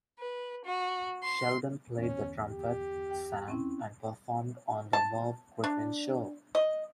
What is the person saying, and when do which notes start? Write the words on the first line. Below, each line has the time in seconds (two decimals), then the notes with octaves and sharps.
Sheldon played the trumpet, sang, and performed on "The Merv Griffin Show".
0.19 B4
0.66 F#4
1.23 C6
1.98 G1 E2 C#4
2.49 G4
3.11 G5
3.48 C4 C#4 E4
4.93 A5
5.64 D4
6.55 D#5